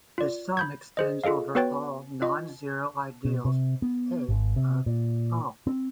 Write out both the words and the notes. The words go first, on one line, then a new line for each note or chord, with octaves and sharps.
The sum extends over all non-zero ideals "a" of O.
F4 D5
B5 G6 G#6
G#4 C5 D#5
F4 G#4 A4 D#5 F5
B3 F#4 B4 C#5 G5 A6
F4 D#5
B2
C3
B3
G#1
C3
A#2
C4